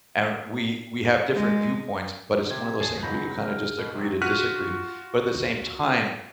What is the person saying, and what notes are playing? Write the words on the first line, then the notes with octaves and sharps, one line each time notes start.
and we we have different viewpoints, but it's one of those things we kinda just agree to disagree, but at the same time,
G#3
C3 G#6
G#4 C#5 A5
C#2 G#2 F#3 B5 G6 A#6
F6
B2
C3 F#3
F4 F#4 F6 F#6 B6 D#7